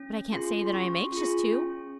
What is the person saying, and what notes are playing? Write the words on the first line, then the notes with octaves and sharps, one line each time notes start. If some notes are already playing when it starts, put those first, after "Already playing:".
But I can't say that I am anxious to.
Already playing: C#4
F4 G#4 C6
C6
C#4 C#6
F4 G#4
C#4